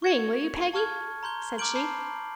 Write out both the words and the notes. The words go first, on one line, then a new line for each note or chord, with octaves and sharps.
"Ring, will you, Peggy?" said she.
C#6 G#6 C#7
A5 C#6 F6 G#6
A#5 C6 G6 G7
A#5 D6 F6 G6 D7 F#7
A5 B5 D6 G6 C7